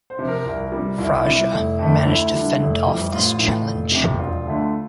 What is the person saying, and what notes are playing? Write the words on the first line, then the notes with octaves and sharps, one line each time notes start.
Fraser managed to fend off this challenge.
C5
C3 F3
A#4
C2
C3 G3
C2 E4
F4
E4
C3 G3
F1
F2 D3 A3
D4
D2 E4
D3 G3
F1
F2 E3 G3
A1 F4
A2 E3
F1
F2 C3
E1 F4
D2 D3 A3